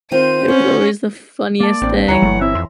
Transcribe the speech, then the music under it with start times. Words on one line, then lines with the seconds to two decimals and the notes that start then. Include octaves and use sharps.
It was always the funniest thing.
0.11 D#3 C4 F4 C5 D#7
0.48 B3 C#4
1.60 A#3 D5 A5
1.82 A1 C4 D4
2.08 D2 E3 C#5 F#5 A#5
2.22 G1 F#3 A3
2.41 C4 E4 E5
2.55 F2 C6